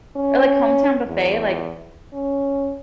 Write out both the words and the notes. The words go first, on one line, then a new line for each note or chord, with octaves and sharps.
Or, like, Hometown Buffet, like
C#4
E2
C#4